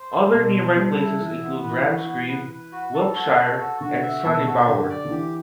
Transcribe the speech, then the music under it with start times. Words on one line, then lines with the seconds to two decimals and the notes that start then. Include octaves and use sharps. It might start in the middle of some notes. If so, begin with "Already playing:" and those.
Other nearby places include Ramsgreave, Wilpshire and Sunnybower.
Already playing: C5
0.11 A4
0.33 B2 C5
0.55 A4
0.76 G3 A4
0.98 E4
1.20 E3 E5
1.42 B3
1.63 E3 B4
1.86 F#4
2.07 B3
2.28 B4
2.51 B4
2.72 F#4
2.94 A4
3.16 F#4
3.37 A4
3.59 F#4
3.80 D3 F#4
4.02 E5
4.24 B2 A4
4.46 F#4
4.68 D3 G4
4.90 D5
5.05 D3
5.11 E3 G4